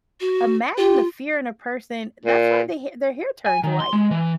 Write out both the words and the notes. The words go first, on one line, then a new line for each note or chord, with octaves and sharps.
Imagine the fear in a person that's why they hair their hair turns white.
F#4
F4 G4
A#2
G#5
D#3
C6
G#3
E3